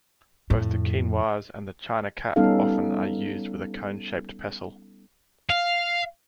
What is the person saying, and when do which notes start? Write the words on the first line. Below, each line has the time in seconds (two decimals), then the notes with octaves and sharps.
Both the chinois and the China cap often are used with a cone-shaped pestle.
0.50 F2 A2
2.36 G3 B3 C#4 D#4 A4 F5
5.50 F5